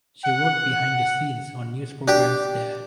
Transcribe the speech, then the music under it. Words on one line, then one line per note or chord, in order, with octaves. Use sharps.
She worked behind the scenes on news programs there.
F#5
D4 G4